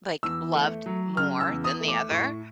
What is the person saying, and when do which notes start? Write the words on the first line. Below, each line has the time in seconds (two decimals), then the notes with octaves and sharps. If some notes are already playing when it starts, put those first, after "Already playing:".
like, loved more than the other.
0.23 E2 E6
0.55 A3
0.86 F#3
1.17 C#3 F6
1.41 E6
1.49 E2
1.64 D#6
1.81 A3
1.88 D6
2.11 A2 C#6